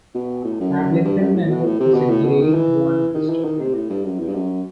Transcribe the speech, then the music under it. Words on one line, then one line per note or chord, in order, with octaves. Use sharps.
Ablington Manor is a Grade One listed building.
B2
A2
F#2
G2
F#2
A2
B2
A2
C3
B2
A2
B2
D#3
E3
D#3
E3
D#3
C3
A2
G2
F#2
E2
G2
F#2